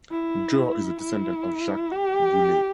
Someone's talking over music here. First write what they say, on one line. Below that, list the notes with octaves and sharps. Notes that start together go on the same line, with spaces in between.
Joe is a descendant of Jacques Goulet.
E4
E4
G4